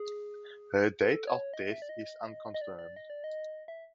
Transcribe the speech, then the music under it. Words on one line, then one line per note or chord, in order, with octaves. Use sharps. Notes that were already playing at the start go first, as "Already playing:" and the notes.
Her date of death is unconfirmed.
Already playing: G#4
A4
C#5
D#5
E5
D5
D#5
D#5
D5
D5
D#5
D5
D#5
E5